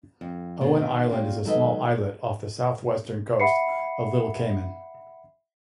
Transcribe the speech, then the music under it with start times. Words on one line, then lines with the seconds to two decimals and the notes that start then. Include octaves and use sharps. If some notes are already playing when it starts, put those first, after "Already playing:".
Owen island is a small islet off the south-western coast of Little Cayman.
0.21 F2
0.61 B2 D4
0.76 B2 D#3
1.09 A#2 A#3 C#4 D#4 F4 G4
1.45 D#3 F#3 G#3 A4 B4 D#5
3.40 E5 F#5 B5 C7 C#7